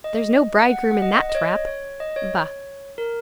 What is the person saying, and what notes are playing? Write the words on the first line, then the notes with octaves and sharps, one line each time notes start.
"There's no bridegroom in that trap."
D#5
F#5
F#5
D#5
D#5
C#5
C#5
D#5
C#5
A#4